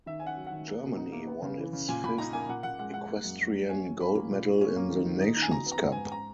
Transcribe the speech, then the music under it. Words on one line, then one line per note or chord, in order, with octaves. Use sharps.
Germany won its fifth equestrian gold medal in the Nations Cup.
D#3 E5
C#4 G#5
F#5
F#3
F#5
D#3
A#3
B2
D#4
A#3
B3
C#3
E3
C#3
A#2 G#5
A#2 B5
D#4 A#5
A#3 G#5
A#2 F#5
A#2 F#5
G#3 F#5
G#3 F#5
A#3
F#2
F#2
F#2
C#4 G#5
F#2
C#4 B5
A#3
A#2
A#2
C#4
A#3
D#3
D#3
D#4
D#4
G#5
F#3 A#5
B3
A#5
G#2
G#2 G#5
A#5